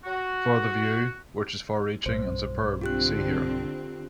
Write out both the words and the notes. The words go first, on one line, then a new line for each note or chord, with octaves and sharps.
For the view, which is far-reaching and superb, see here.
F#4
B1 G2 C5
D3 C4 F4 G4 F#6